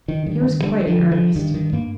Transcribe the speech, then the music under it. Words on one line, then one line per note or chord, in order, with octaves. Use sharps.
"He was quite in earnest."
D#3
G2 D#3
D#3
D3 G3
F3
D3
F3
G2 D#3
D#3
G2 A#3